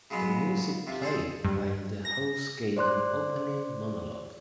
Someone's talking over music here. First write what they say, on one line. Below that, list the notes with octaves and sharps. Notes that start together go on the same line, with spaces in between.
The music played while the host gave an opening monologue.
C#3 F#3 G#3 B3
C3 F4
G#4 A4 C5 D#5
G2
A#6
C5 D5 C6 F#6